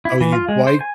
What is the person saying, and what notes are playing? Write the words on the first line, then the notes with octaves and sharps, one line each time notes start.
Oh, you bi
E4
E3
F4
G#3
C5
G#5